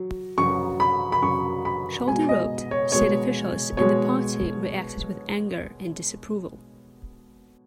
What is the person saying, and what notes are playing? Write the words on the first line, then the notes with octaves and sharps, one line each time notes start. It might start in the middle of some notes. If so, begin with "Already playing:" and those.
Scholder wrote: state officials and the Party reacted with anger and disapproval.
Already playing: F#3
F#2 F#3 C#6
B5
B5
F#2 F#3 C#6
B5
B2 G#3 G#5
D#5
C#5
B2 G#3 C#5
B2 G#3 C#5